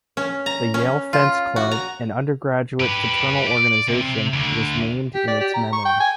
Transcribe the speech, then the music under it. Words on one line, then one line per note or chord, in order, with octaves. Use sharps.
The Yale Fence Club, an undergraduate fraternal organization, was named in its memory.
C#4
A#5
C#4
F4
F#4
A#5
G4 B4
D5
C3
D2 D3
G4
D5
G4
A#5
C#6
G5
G#5